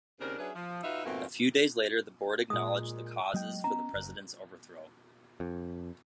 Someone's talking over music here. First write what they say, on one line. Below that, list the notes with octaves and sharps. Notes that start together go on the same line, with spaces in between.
A few days later, the Board acknowledged the causes for the President's overthrow.
D#2 C#3 C4 D4 A#4
F#3 C#4 D4 G#4 B4 E5
F3
D#4 F4 F#4 B4 E5
F2 G#2 B2 A3 A#3 C4
A#2 G#3 D#6
F#3 G#3 A#3 D#5 G5
B3 C#4 A#5
F#1 F#2
F2